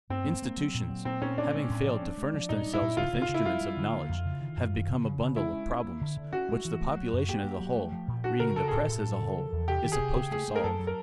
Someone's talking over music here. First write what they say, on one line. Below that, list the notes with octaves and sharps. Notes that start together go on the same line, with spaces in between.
Institutions, having failed to furnish themselves with instruments of knowledge, have become a bundle of "problems," which the population as a whole, reading the press as a whole, is supposed to solve.
G2 C4
A#3
A#3
F#3
A#2
F#3
A#2 C4
A#2 C#4
A#2 D4
G#3
A2
F3
C4
G#3
F3
A#2 D#4
G3
E4
A#2
C#3 F4
C#3
F4
C#3
E4
G3 F4
G3
D3
A#3
F2
C#3
D#3
F#2
D#3
C#3
C#3
C#3
G#3 E4
C#4
C#4
A#3
D3
D3
C#4 F#4
G#3
E3
A3
F#3
F#2
A#3 G4
A#3
F#3
A3
F3
A#2
D4 F#4
C#3 A#4
C#3 A4
G#4
A2 A4
A2
F#3
C#3
F3
E2
C3 G4
D#3
G#4
C3
C#3
A3 G#4
A3
A#4
F#2 A4
F#3
A#4